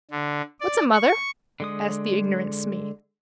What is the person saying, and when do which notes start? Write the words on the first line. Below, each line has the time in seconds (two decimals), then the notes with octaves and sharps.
"What's a mother?" asked the ignorant Smee.
0.11 D3
0.60 D5
0.93 C#6
1.60 D3 G#3 D#6